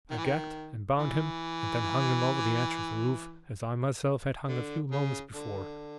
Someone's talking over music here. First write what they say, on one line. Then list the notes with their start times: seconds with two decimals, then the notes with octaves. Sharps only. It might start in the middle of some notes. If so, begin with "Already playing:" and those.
I gagged and bound him and then hung him over the edge of the roof as I myself had hung a few moments before.
0.10 D#3
0.18 E3
0.25 D#3
0.99 E3
4.48 D3
4.91 C#3
5.34 D3